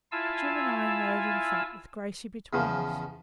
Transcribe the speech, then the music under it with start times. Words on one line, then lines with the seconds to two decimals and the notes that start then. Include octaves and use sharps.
Jim and I rode in front, with Gracey between us.
0.12 E4 F4 F5 G#5 A5 E6
2.53 E2 C#3 F3